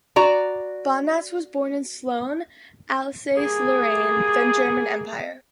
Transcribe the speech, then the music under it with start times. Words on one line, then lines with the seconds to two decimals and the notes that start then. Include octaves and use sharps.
Bonatz was born in Solgne, Alsace-Lorraine, then German Empire.
0.16 F#4 D5 A#5
3.36 G3 A#3 G#4